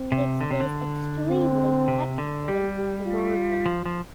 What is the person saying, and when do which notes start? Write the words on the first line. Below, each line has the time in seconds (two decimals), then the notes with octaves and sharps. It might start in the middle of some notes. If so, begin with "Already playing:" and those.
It is extremely technically demanding.
Already playing: C4
0.12 C3
0.41 D3
0.51 C3
0.60 D3
1.30 C4
1.88 C3
2.18 D3
2.48 G3 G4
2.77 G4
3.06 F4
3.66 F3
3.86 F3